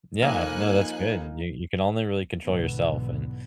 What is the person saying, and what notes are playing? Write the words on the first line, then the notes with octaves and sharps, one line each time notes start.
Yeah, no, that's good. You you can only really control yourself and
F2 A#3 D#4 G#5 F#6
B1 G#2 D3 E3 B3